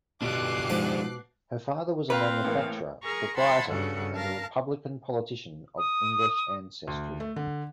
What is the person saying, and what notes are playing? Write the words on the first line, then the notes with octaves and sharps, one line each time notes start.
Her father was a manufacturer, proprietor, and a Republican politician of English ancestry.
B2 D4 F4 G4 D6 F#6 C7
G#2 F3 F#5
C4 B4 F5
A2 E3 A#3
G#4 A#4 A#5 C#6
F#5 A5 B5 C6 E6 G#6
G2 C#3 F#4 A4 F#5
A#4 F5 A5 A#6
D#6
D2
A3
D3